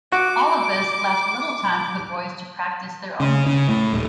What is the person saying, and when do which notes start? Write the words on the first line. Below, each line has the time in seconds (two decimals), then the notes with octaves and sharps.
All of this left little time for the boys to practise their own game.
0.12 F#4 D6
3.20 C#3
3.47 C#3
3.69 A2
3.93 D#1